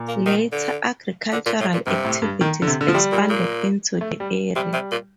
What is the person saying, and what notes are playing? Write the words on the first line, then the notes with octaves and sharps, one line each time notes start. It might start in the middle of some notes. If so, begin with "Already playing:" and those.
Later, agricultural activities expanded into the area.
Already playing: A#2
A#3
D#3
D3
D3
A#2
A2
A#2
G2 C3
A2
G2
D#3
D3
C3
D3
F3
C3 G3
A#2
A#2
A3
G3
C3 G3
C3
A#2